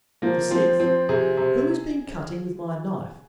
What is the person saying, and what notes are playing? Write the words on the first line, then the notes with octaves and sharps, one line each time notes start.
The sixth, "Who has been cutting with my knife?"
F3 A#3
F3 C4
F3 C4
C3 G#4
C3